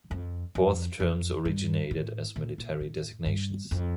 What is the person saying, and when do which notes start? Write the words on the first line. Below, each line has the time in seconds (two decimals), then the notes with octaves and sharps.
Both terms originated as military designations.
0.11 F2
0.55 F2
1.00 F2
1.45 G2
1.91 A2
2.36 A#2
2.58 A#2
2.81 A2
3.26 G2
3.71 F2